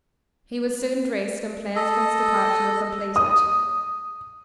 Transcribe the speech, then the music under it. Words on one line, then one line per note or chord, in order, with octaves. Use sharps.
He was soon dressed and plans for his departure were completed.
A4 D#5
D#6